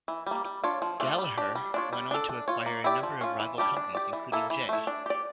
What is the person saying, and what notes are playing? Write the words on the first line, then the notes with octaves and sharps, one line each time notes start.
Gallaher went on to acquire a number of rival companies including J.
E3
G3 A#3
G3
D4 F4 C#5
F3
A3 D4 F4
G3
D4 G4 D5
G3
D4 F4 C#5
G3
D4 A4
D4
F4 C#5
A#3
E4 G4 D5
F3
C#4 F4
E3
G3 D4 G4 D5
D4
G4 D5
E3
A#3 E4 A4
E3
A3 E4
D4
G4 D5